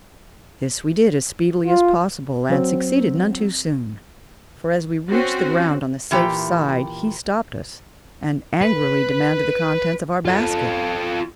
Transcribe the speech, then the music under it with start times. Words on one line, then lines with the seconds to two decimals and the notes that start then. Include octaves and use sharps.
This we did as speedily as possible, and succeeded none too soon; for as we reached the ground on the safe side, he stopped us, and angrily demanded the contents of our basket.
1.67 F4
2.49 F#3 C4
5.09 C4 C#4 F#4
6.11 A#2 E3 G4 G5
8.62 B4
10.26 F4 A4